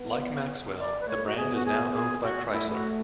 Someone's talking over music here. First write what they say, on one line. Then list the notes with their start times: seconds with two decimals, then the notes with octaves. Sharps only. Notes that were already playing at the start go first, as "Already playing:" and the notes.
Like Maxwell, the brand is now owned by Chrysler.
Already playing: B3
0.79 D5
1.01 B4
1.08 A3 C#5
1.27 F#4
1.37 B3 G#4
1.55 F#4
1.66 G#4
1.94 G#4
2.22 F#4
2.52 A3 E4
2.73 F#4